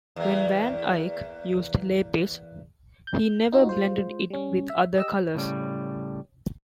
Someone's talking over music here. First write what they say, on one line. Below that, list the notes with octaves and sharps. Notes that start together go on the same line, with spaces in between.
When Van Eyck used lapis, he never blended it with other colors.
E2 A#3
G6
D#4 F4 F#4
G#3 F4 C5
G3 C#4
E5
G4 D#5 E6
A2 C#3 G3